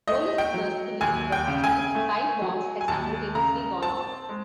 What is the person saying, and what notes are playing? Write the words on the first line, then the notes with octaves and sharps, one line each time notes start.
Police at first believed that at least five bombs had simultaneously gone off.
A3 D#5
G5
F#3
D#2 G#5
G5
C#3
G#5
A3
F#3
G#5
D#2 A5
C#3 A#5
C4 A5
G#3